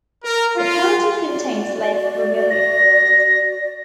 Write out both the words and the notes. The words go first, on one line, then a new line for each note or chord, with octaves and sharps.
The county contains Lake Vermillion.
A#4
F4
F#4 D5
A#6